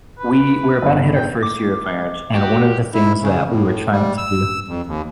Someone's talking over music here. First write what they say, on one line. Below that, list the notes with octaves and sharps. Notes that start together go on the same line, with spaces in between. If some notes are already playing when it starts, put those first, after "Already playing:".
we we're about to hit our first year of marriage, and one of the things that we were trying to do
B4
G1
G5
D6
F#4 G4
E4
C#3
A2
G3
E6
F2
D#2